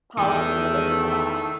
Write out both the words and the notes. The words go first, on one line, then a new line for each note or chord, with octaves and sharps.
politics and religion a lot,
E2 D#3 A3